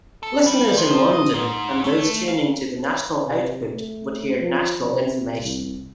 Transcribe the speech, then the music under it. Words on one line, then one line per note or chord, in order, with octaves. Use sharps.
Listeners in London and those tuning to the national output would hear national information.
A4
G3
F3
D#5
G#2
A3
F5
C3
A3
F3
C3
C2